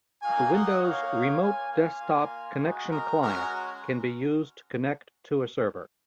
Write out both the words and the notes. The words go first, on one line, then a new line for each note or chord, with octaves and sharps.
The Windows' Remote Desktop Connection client can be used to connect to a server.
A#3 D#4 F#4 F5 G#5
D#5 F#5
A#3 D#4 F#4 C#5 F5
A#3 F4 F5 G#5
F5 G#5
A#3 F4
G#3 D#4 F#4
A#4
G#3 C#4 F#4 A#4